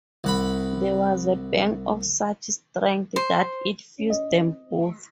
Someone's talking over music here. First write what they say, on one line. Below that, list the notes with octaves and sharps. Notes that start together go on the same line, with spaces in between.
There was a bang of such strength that it fused them both.
C2 F#5 B5
C5
D#5